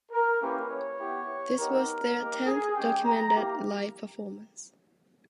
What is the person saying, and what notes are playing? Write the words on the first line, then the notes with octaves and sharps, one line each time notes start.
This was their tenth documented live performance.
A#4
A#3 C#4 E4 G4 B4
C#5
B3 E4 G4
B3 D#4 G4 A#4
A#3 D#4 G4
G#4
G#3 C#4 G4 G5
A#5
A#3 E4 G4